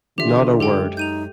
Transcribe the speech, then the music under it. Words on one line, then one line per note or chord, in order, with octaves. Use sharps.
Not a word.
D3 E3 F4 G4 E5
F#2 G#3 G4 A4 G5
D#4 G6 D#7 F7